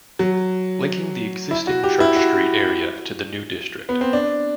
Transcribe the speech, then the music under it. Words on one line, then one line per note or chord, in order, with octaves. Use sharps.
Linking the existing Church Street area to the new district.
F#3
E4
F#4
G4
E4
F#4
B3
C4
D4